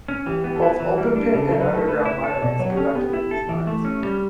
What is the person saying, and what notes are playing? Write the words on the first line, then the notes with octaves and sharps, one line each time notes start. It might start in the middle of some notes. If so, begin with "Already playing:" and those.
Both open pit and underground mining is conducted at these mines.
C#4
E3 G4
B3 G4
A4
E4 B4
E3
G3
D4
C#3 A4
F#3 A4
B4
A3 A4
A3 B4
E4
A4
C#5
B2 D5
F#3 C#5
G4
C#4 A4
B3 G4
E4
A4
E3
A3
C#4
G3